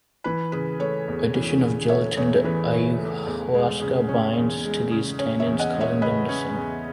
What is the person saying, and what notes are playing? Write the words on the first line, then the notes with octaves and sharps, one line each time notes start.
Addition of gelatin to ayahuasca binds to these tannins, causing them to sink.
E3 B4
C#3 B4
A3 C#5
E2
E3
C#3
A3 C#5 E5
E2 C#5
E3 B4
C#3 C#5
A3
E2
G#3
C#3
C#4
E2
G#3
C#3
C#4 C#5
C#5 E5
E2
D#5 F#5
G#3
C#5 E5
C#3 B4 D#5
C#4
E2